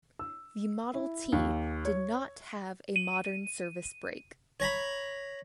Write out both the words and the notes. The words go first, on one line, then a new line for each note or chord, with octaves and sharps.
The Model T did not have a modern service brake.
E6
E4
D#2
C#5
D#7
C#5 A#5 B5